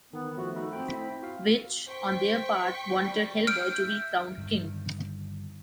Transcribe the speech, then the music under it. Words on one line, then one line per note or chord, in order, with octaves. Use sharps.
Witch, on their part, wanted Hellboy to be crowned king.
D#3 B3
F3 A3 F#4
A3 D#4 A4 B5
C4 G5 B5
E4 B6
F#4 F5
C5 G5 C#6 B6
G3
F6 G6 D7
E5
G2 D3 D#3